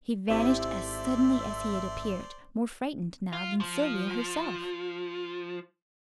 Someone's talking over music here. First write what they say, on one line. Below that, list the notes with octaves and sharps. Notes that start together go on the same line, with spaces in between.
He vanished as suddenly as he had appeared, more frightened now than Sylvia herself.
G#1 C4 E4 G4 A4 C5 D5 E5
F4
F3